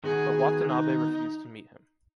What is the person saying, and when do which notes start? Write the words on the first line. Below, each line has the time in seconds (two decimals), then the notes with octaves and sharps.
But Watanabe refused to meet him.
0.04 D#3 B3 F#4 G#4 B4
0.67 D#4